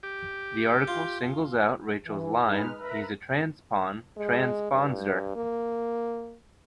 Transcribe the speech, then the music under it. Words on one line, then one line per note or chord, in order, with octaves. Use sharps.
The article singles out Rachel's line He's a transpon-transpondster!
G4
F4
E3
G#3 D#4 B4 F6
A#4 B4 E5 A#5 B5
G#3
G2
A#3